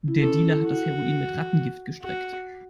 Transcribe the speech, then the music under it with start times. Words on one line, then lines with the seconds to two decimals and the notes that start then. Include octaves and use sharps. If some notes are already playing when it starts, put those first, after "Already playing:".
Der Dealer hat das Heroin mit Rattengift gestreckt.
0.08 E4
0.19 C#4 A4
0.50 E4
0.65 F#4
2.03 F#4